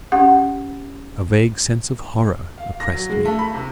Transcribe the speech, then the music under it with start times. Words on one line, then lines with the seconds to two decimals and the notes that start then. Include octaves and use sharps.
A vague sense of horror oppressed me.
0.12 C#4 G4 F#5
2.58 F5
2.80 A#6
2.93 F#3
3.09 G#3
3.25 A3
3.39 B5
3.54 C3